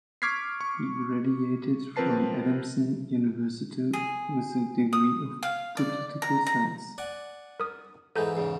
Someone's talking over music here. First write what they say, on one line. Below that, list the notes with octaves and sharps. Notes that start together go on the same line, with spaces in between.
He graduated from Adamson University with the degree of Political Science.
C#6 D6 F6 G#6 B6 C7
C#6
F3 C4 A#4 B4 A5 C7
G#4
D#6
F5
D5
A#5
A#5
D5 F#5 G#5
A#4 D#6
G#2 E3 G#3 A4 A#5 G6
E2 G#2 C#3